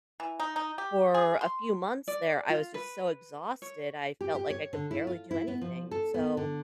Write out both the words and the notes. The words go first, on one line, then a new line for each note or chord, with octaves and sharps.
for a few months there, I was just so exhausted, I felt like I could barely do anything, so,
E3
D#4
D#4
G4
G#4
C6
D5
F4
B4
C#5
G4
G4
C#5
D3
E4
F4
E4
B3
F3
A4
B3
D3